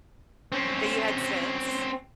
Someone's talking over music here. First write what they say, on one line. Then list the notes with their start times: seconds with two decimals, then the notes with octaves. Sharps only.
So you had sense.
0.52 C4 C#4